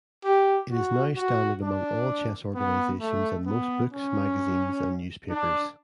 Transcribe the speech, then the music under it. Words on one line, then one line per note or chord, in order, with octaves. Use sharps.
It is now standard among all chess organizations and most books, magazines, and newspapers.
G4
F#4
F#4
D4
B3
A3
B3
C#4
D4